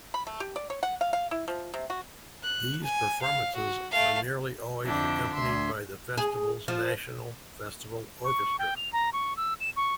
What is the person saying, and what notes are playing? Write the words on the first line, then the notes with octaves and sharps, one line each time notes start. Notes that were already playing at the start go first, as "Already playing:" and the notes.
These performances are nearly always accompanied by the festival's "National Festival Orchestra".
B5
A3
G4
D5
C#5
F#5
F5
F5
E4
F3
C3
F#4
F#6
G#5
F5
F#4
A3 F5
F2 D3 D4 E4 G6
D2 E5 C6
G#4
F3
C#6
G5
F7
A#5
C#6
E6
E7
C#6